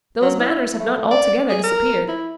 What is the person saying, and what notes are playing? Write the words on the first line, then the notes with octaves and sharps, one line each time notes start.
Those manners have not altogether disappeared.
F#3
E4
A3
A3
D5
G#4
A#4
E4